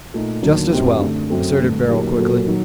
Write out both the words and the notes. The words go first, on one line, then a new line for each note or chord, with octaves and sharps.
"Just as well," asserted Beryl, quickly.
A#2 A3 D#4
D#2 D3 F#3 A#3 D4
F#2 F#3 C4 D#4 G4
D3 A3 D4
F#2 F#3 C4 F#4 A4
G2 D3 A3
A#2 F#3 A#3 D#4 G4
A#2 F#3 A#3 F#4 A4
D#3 F#3